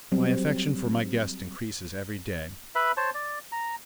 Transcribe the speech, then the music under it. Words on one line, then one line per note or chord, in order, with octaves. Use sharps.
My affection for my guest increases every day.
F#3 G3 C4
B4 E5 B5
C5 C#5 A5
D5
A#5